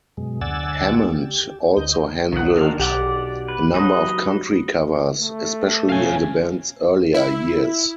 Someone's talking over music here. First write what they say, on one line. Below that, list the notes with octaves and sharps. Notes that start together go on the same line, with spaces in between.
Hammond also handled a number of country covers, especially in the band's earlier years.
F#2 B2 G#3
D2 D5 F#5 G#5 E6 A6
G4
D2 D#5 G6
C2 D#3 F#5
D#3 D4 A#4 F5
B1 G4 D5 F#5
B4
F#3 D#4 B4 D#5
A3
B2 C#4 F5 G#5
E4